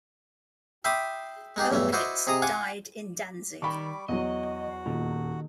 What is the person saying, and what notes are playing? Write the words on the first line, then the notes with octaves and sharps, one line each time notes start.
Opitz died in Danzig.
E5 G5 B5 C6 D6 D#6
G#3 D#4 G4 G#4
B1 E2 G2 E3 A3
E4 F#4 C5 D5 D#5
C3 G#4 D#5 A#5 D#6
F4 F#5 G#5 D6
D#3 G3 G5 B5 C#6 D6
E2 F#3 F#4 D#5
D#1 A#2 D#3